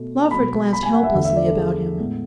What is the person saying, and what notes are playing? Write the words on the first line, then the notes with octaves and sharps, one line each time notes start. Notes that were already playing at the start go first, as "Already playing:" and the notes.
Lawford glanced helplessly about him.
Already playing: B2 A3
B2 F#3 A3 B5
B5
G#5
F#5
E5
E2 D3 A3 E5
E5
D5
A4
G#4
A2 G#3 B3